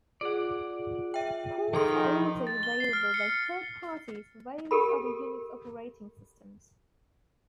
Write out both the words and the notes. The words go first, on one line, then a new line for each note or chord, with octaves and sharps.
Ports are also available by third parties for various other Unix operating systems.
F4 G#4 D5 F#5
E5 G5
D#3 F3 D#4 G#4 A4 C6
A6
G7
C7
F6
C#7
F6
G4 A4 A#4 B5